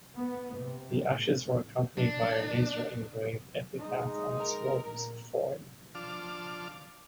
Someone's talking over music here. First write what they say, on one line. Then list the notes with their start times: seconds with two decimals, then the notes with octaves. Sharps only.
The ashes were accompanied by a laser-engraved epitaph on a small piece of foil.
0.17 B3
0.56 C3
1.07 A2
1.98 D4
3.78 G#3 D#4
4.36 A#4
4.83 A#2
5.95 F3 D4 A5 D6 F6